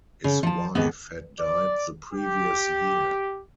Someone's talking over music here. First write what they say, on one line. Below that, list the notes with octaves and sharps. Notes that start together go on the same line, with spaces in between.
His wife had died the previous year.
C#3
F3 A5
D#2 G#2 B3
D5
G4